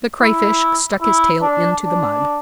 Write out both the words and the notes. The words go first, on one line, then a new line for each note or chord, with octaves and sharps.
The Crayfish stuck his tail into the mud.
E4
E4
D4
D4